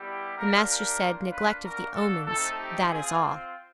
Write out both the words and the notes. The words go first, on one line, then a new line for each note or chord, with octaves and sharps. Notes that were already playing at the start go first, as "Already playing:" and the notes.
The Master said, Neglect of the omens, that is all.
Already playing: G3 B3 E4 G4
A#3 D4 G4 A#4
A#4
A#3 D4 F4
B4
A#3 D4 F#4 A#4
A4
A3 C4 D#4 A4
G4
C4 F4 G#4